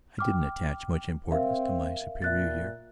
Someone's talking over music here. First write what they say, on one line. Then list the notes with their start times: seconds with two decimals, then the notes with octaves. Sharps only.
I didn't attach much importance to my superior years.
0.19 G5 D6 F6
1.31 C4 A#4 E5 F5
2.22 A#2 E5 F#6 A6